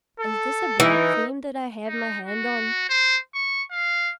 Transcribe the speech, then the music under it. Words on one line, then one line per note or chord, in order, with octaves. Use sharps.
Is this a black frame that I have my hand on?
A4
E3 D#4
D#4
F#4
C5
C#6
F5